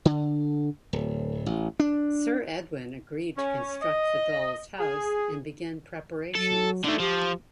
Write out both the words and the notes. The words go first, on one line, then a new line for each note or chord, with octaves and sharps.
Sir Edwin agreed to construct the dolls' house and began preparations.
D3
D1
A1
D4
C#4
D#5
G#4
F#3 A4
D3 A3 D#4
F3 G4